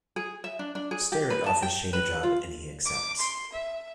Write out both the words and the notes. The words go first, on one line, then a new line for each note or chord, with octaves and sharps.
Starrett offers Shane a job, and he accepts.
G#4
E5
D4
D4
G#4
G4
B4
A5
G5
B4
F4
D6
C6
E5